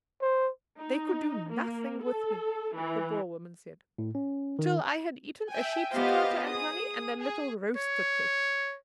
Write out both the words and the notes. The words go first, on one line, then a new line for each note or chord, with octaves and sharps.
They could do nothing with me," the Boer-woman said, "till I had eaten a sheep's trotter, and honey, and a little roaster-cake.
C5
D#4
A#3
A4
E3
A2
C#4
D#3
E5 G5 G#5
B3 F4 G4 C5 D#5 F5
G#4 D#6
G#4
C#5